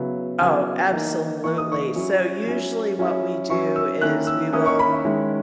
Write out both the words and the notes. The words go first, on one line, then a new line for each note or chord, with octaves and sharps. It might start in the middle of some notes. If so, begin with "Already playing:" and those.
Oh, absolutely, so usually what we do is we will
Already playing: C#3 F#3 B3 E4
C#3 F#3 B3 E4 G#5
E3 A#3 D#4
E3 A#3 D#4 C#6
D#6
C#6
F#3 C#4 E4
F#3 C#4 E4
F#3 C#4 E4
F#3 C#4 E4 C#6
E6
D#3 A#3 C#4 E4 F#6
E6
D#3 A#3 C#4 E4 D#6
C#6
B5
E5
D#3 G#3 C#4 E4